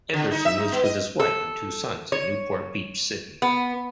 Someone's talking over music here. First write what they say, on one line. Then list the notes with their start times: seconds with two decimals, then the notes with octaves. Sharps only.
Anderson lives with his wife and two sons in Newport Beach, Sydney.
0.13 D3
0.31 D#4
0.45 E5
0.58 D#4
0.72 B3
0.84 D#5
1.20 A4
2.12 C#5
3.42 B3